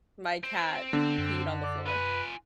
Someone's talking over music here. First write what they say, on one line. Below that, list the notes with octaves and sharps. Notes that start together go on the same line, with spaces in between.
my cat peed on the floor.
C4
D3 B3 D4
F#2
D5
F4 B4 G#5